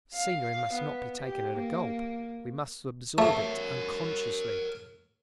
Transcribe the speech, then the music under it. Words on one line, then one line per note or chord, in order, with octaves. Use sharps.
Scenery must not be taken at a gulp; we must absorb it unconsciously.
F5
B3
G4
A#3
A3 A#4 C#5